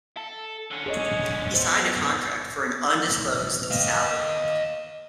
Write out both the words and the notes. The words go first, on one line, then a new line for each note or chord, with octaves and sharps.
He signed a contract for an undisclosed salary.
A4
D3 C#4
G#4 C#5 D#5
F#2 B3 C5
D#5 F5